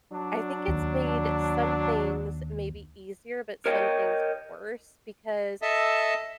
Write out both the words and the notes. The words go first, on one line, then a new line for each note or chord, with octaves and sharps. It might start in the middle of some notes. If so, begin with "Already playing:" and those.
I think it's made some things maybe easier, but some things worse, because,
F#3 D4
D#2
A#4 C#5 D#5 G5
A4 D#5 E5 A5